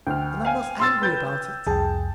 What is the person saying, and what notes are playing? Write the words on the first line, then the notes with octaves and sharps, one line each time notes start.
And I'm not angry about it.
D2 G5 F6
F5 G#5
C6 E6 A6
B4 G6 A6
C2 F2 G#4 G5 A5